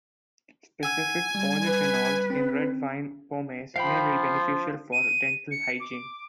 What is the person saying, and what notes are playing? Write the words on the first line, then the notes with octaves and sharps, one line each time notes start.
Specific polyphenols in red wine pomace may be beneficial for dental hygiene.
F#5 G#5 E6
G3
B4
C4
F3 F5 G5 B5
D#7
C#7
D6